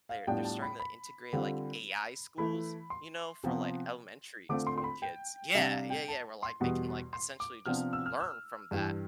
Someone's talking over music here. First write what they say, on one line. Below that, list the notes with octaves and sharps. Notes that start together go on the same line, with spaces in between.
they're they're starting to integrate, like, AI schools, you know, for, like, elementary school kids. Yeah, yeah, yeah, where, like, they can, like, essentially just learn from that,
F5
A2 G3 B3 D4 F4 G5
A5
B5
B5
D3 G3 C4 F4
E3 A3 E4 B5
C6
C3 F3 B3
D3 A3 C4 F4 D6
C6
C6
B5
G5
C3 G3 D4 E5
F5
G5
A5
C6
E2 B2 G3 B3
C6
D6
C3 F3 B3 D4 F6
E6
F6
E6
G2 E3 G3